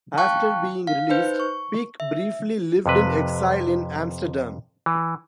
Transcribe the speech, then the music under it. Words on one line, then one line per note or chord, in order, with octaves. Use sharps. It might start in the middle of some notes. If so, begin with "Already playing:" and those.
After being released, Pieck briefly lived in exile in Amsterdam.
F5 G5 A5 C#6 F#6
F5
D#4 B4 C5 G6
C#6
E5
F2 C3 B4
E3